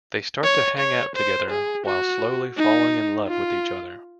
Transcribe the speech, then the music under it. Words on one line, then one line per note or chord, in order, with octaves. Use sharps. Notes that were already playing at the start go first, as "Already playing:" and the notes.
They start to hang out together while slowly falling in love with each other.
C#5
C#5
C5
G#4
F#4
D#4
F4